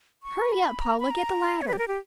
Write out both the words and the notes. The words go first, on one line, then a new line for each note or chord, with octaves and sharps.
Hurry up, Paula, get the ladder.
C#6
B5
A#5
B5
A#5
C#5
B4
G4
A#4
G4